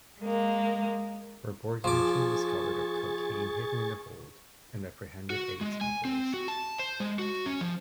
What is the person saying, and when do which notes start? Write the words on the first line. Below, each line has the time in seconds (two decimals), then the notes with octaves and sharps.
Her boarding team discovered of cocaine hidden in the hold, and apprehended eight smugglers.
0.21 G#3 A#3
1.84 F3 G#4 C#6 D6 A6
5.30 F#4
5.61 G#3
5.81 G#5
6.05 C4
6.34 F#4
6.48 A5
6.79 C5
7.00 G#3
7.19 F#4
7.46 C#4
7.61 F3